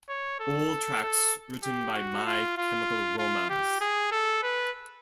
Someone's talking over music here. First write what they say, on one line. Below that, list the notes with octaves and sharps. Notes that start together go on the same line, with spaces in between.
All tracks written by My Chemical Romance.
C#5
A4
A4
G4
F#4
F4
F4
F4
G4
G#4
A4
B4